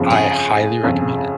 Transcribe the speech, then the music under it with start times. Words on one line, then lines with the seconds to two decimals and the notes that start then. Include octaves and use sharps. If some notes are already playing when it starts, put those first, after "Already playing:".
I highly recommend it
Already playing: G1 F2 C#3 F3
0.10 G#4
0.83 G1 F2 C#3 F3